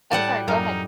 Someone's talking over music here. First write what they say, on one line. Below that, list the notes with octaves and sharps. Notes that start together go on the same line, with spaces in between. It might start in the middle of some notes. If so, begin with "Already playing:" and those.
Oh, sorry, go ahead.
A2 G3 F#5 A5
F#2 D#4 A#4 F5